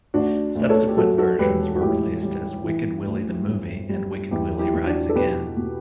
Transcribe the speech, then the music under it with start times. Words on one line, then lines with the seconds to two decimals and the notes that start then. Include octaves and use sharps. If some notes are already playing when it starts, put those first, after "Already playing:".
Subsequent versions were released as Wicked Willie The Movie and Wicked Willie Rides Again.
0.14 D2 D4 F#4
0.55 D2
0.62 D5
0.69 A4 C#5
0.88 G4
0.97 F#3 F#4 A4
1.18 F#4 A4
1.39 E1 G4 B4
1.75 F#4
1.81 A1 E4 G4
2.23 G3
2.64 E3
3.06 D2
3.48 G1
3.89 G3
4.31 E2 E4 G4
4.59 E4 G4
4.74 E2
4.87 D4 F#4
5.09 A4
5.15 B2 G4 B4
5.57 B2